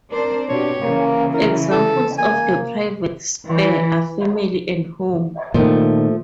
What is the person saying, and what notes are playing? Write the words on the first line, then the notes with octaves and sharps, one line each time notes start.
Examples of the private sphere are family and home.
C4 D4 A#4 C5
B2 D4 G4 C#5
C#3 E3 A#3
E4 A#4
A4
A#3 G#5
E3
A#2 D#3 F3 A3